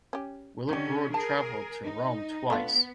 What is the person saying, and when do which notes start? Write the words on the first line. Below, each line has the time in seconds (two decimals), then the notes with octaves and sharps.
Willibrord travelled to Rome twice.
0.13 C#4 G4
0.69 D3 C#4 D#4 G4
1.14 G#4 A#4 A5
1.83 D#4
2.50 A3 B3 D4 F4